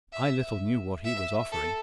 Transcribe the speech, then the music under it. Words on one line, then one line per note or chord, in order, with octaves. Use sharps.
I little knew what he was offering.
E5
E5
A4